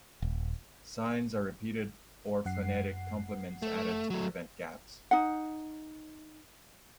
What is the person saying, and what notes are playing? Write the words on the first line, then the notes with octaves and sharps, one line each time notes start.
Signs are repeated or phonetic complements added to prevent gaps.
D#1
F#2 F#5 C7
A3
F#3 A3
D#4 F#5